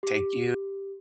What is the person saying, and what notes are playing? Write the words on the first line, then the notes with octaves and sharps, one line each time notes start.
thank you.
G4